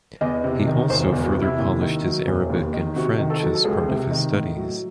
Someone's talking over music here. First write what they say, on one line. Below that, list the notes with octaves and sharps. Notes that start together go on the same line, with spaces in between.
He also further polished his Arabic and French as part of his studies.
E2 D#5
C3
D#3
E1 C5
E2
F#4
C3
E4
D#2
D#3
F#3
E1
D#2
D#3
C3 F#4
D#3
A4
F#3
A4
C#2 G#4
C3
D#3
A2
F#3